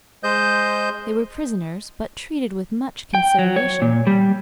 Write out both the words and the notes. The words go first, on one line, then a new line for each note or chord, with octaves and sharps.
They were prisoners, but treated with much consideration.
G#3 C5 D#5 G6
G5
F#3
C#5
A#2
G3